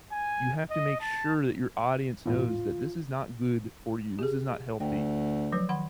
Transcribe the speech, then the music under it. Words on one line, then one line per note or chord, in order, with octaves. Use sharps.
you have to make sure that your audience knows that this is not good for you, this is not healthy.
G#5
D#5
A5
E2 A2 F4
G4 G#4
D2 G5
F3 F#3 B4
D#3 F#5 B5